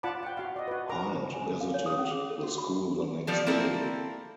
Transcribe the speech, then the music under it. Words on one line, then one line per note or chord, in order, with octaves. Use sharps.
Hind visited the school the next day.
F4 D5 F#5 A5 B5 D6
F#5 G5
F#4 F5
D5 D#5
F#4 B4
A#4 A#5 D6
C5
G#5
A4
F5
C#5
D#6
C#4
G#4
A4
F#4
B5
F3 G3 A4
A#3 C4 E4 A4 A#4